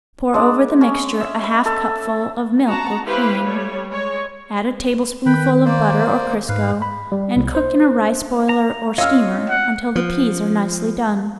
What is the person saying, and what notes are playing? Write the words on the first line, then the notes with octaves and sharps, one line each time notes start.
Pour over the mixture a half cupful of milk or cream; add a tablespoonful of butter or crisco, and cook in a rice boiler or steamer until the peas are nicely done.
G#3 D4
C#4
E5
B5
A4
F#4 A5 A#5
E4 G4 B4 C5 F5
G3 A3 C#5
G#3 C#5
D#3 B4 G5 B5
A#3 C5 D5
G#2 B4 F5
B5
G3
C2
C5
A#5
F4 C#5 D#5 F5 E6 F6
F#5
F3